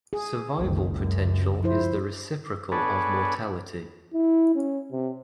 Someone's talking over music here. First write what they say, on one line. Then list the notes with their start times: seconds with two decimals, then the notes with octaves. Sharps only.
Survival potential is the reciprocal of mortality.
0.13 G#4
0.58 F#1 C2 D#3
0.90 C#2 F#2
1.63 F3 E4 C5
2.72 B3 D4 G#4 A4 B4 C#5
4.13 E4
4.55 C#4
4.92 C3